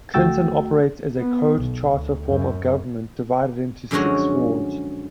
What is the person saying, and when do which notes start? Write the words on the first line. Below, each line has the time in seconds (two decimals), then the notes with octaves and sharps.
Clinton operates as a Code Charter form of government, divided into six Wards.
0.14 D2 A3 F#4 G5 E6 A6
1.17 B3
1.59 B1
1.93 D2
2.25 F#2
3.91 F#2 D3 F3 G#3 C#4 F#4